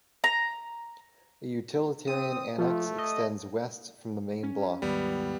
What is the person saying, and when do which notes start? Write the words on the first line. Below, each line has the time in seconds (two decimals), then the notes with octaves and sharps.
A utilitarian annex extends west from the main block.
0.24 A#5
2.07 C4 D#6
2.58 F3 A3
2.98 D#5
4.43 C#4
4.82 D#2 G#2 D#3 G3 B3